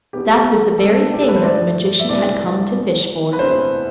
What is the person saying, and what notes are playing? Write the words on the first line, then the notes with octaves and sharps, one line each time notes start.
That was the very thing that the magician had come to fish for.
E2 B2 B3 G4
C3 G3 C4 A4
G4
A4
B4
C5
G2 F3 A3 D5
E5
E1 D2 C3 E3 B3 D5
E2 B2 B3
B4
E1 D2 C3 E3 C5